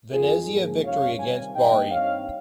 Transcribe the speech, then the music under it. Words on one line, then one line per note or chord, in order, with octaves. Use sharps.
Venezia victory against Bari.
F2 D#3 G#3 F4 G#4
G#2 F3 A#3
F2 C3 G3 C#4 C#5 F5
C3 D#3 G3 F5 G#5
G2 D#3 A#3 D#4 D#5 G5
G2 G3 C4 D#4 C#5 F5